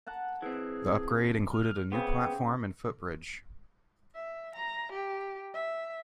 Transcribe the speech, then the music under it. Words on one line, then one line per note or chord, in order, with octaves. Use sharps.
The upgrade included a new platform and footbridge.
F#5 A5 A#5
E3 C4 G#4
F6
C#3 B3 C4 G4 G#4
E5
A#5
G4
E5